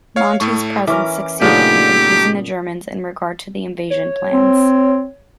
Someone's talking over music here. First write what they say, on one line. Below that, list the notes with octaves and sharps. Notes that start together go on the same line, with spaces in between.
"Monty's" presence succeeded in confusing the Germans in regard to the invasion plans.
C#5 F5
A2 A3 C#6
E3 C#4 A#4 D6
A#2 C#3 A3 B3 D4 D#4 G4
C#5
C4